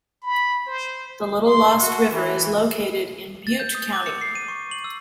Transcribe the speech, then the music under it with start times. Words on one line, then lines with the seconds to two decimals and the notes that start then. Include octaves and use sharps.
The Little Lost River is located in Butte County.
0.23 B5
0.67 C5
1.48 C6
1.81 F#4
2.13 E3
3.47 A6
3.60 G6
3.75 D#6
3.93 D6
4.06 C#7
4.21 C7
4.35 D#7
4.48 C#6
4.71 F#7
4.84 E6